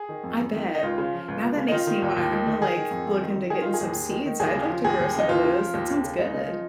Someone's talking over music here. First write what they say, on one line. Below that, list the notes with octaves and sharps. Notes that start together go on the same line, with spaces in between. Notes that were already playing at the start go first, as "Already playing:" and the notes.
I bet. Now that makes me wanna I'm gonna like look into getting some seeds. I'd like to grow some of those. That sounds good.
Already playing: G#4
D#3
F2
F2
D#3
D#3
D#4
C#2 F4
C#3
F3
C#2
C#2
C#3
D#4
D#3 F4
D#3
D#2
D#2
D#3
D#3
D#3 G#4
D#3
F2
F2
D#3
D#3
D#3 G#4
D#3 F4
G#4
D#2
D#2
D#3
D#3
D#2 G#4
C#3
F3
D#2 G#4
D#2
C#3 D#4
D#2 F4
C#3
F3
D#2
D#2
C#3
C#2 D#4
C#3
F3